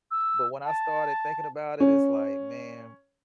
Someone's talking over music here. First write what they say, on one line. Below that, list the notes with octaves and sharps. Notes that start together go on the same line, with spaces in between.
but, when I started thinking about it it's like, man,
E6
A5
C#4